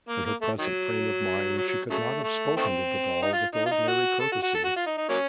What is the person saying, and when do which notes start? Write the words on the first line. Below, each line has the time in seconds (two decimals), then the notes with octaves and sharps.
In her present frame of mind she could not have spoken to the doll with ordinary courtesy.
0.09 A#3
0.25 A#3
0.41 A3
0.59 D#3 F#3
1.58 F#3
1.68 F#3
1.90 C#3 F#3 A3
2.24 A3
2.57 D#3 A3 C4
3.22 D#4
3.33 F4
3.55 D#4
3.66 F4
3.71 D#4
3.88 F#4
4.20 A4
4.32 F#4
4.43 F#4
4.55 A4
4.65 F#4
4.76 F4
4.87 D#4
4.97 D#4
5.09 F#3 A#3 C#4